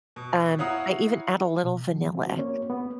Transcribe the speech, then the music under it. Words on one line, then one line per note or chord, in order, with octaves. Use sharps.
Um, I even add a little vanilla.
B2
E4 C#5 F5 F#5 A#5 D#6
B2
F3
C4 F#4
A#3 C#4 C#5
B3